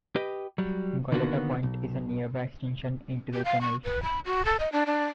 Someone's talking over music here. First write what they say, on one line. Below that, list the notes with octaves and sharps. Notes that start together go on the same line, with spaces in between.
Goleta Point is a nearby extension into the channel.
G4 B4 D#5
F#3 G3
D3 D#3 A#3 B3 F4 F#4
B1
G4
F5
C#6
B4
B5
F#4
A4
D#5
D4
D4